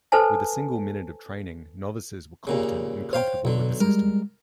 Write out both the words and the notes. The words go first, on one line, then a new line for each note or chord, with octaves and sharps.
With a single minute of training, novices were competent and comfortable with the system.
A4 B4 C5 G#5 A5
D#2 A#2 C#3
C5 C#5 F5 G5
B1 B2 D3
G3 G#3 A#4